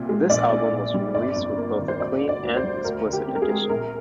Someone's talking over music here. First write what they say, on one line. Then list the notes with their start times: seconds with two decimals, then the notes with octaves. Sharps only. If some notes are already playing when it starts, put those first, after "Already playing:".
This album was released with both a "clean" and "explicit" edition.
Already playing: C2 A#2 C4
0.09 G#3
0.30 A#1 D5
0.52 A#2
0.72 A#1
0.94 G3
1.15 G1 D5
1.37 F2
1.57 A#3
1.79 D#3
1.88 C5
2.00 D2 D5
2.21 D3
2.29 D5
2.43 D2
2.57 C5
2.63 G3
2.85 D2 A#4
3.06 D3
3.13 G4
3.27 C4
3.36 A#4
3.42 G#4
3.49 G#3
3.69 A#1 A#4